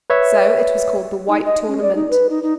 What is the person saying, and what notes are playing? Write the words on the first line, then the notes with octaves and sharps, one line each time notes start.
So it was called the White Tournament.
B4 C#5 E5
D#4
D#5
C#4
D5
D#4
B4
D#4
D#4